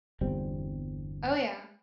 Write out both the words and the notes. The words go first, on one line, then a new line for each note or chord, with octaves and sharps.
Oh yeah.
G1 E2 G3 C4